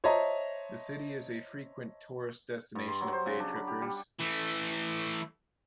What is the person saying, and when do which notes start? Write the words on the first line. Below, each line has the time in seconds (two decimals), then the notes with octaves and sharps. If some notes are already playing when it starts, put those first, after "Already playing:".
The city is a frequent tourist destination of day trippers.
0.04 C5 C#5 D#5 E5 A5 A#5
2.75 G2
2.88 C6
3.01 F#3
3.13 C5
3.26 C#3
3.39 D4
3.55 B5
3.67 G4
3.82 G3
4.19 E3 A3